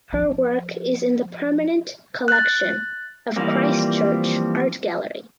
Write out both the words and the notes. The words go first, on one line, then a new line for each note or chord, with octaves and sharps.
Her work is in the permanent collection of Christchurch Art Gallery.
F3
F#6 A6
E3 F3 G3 A#3 C4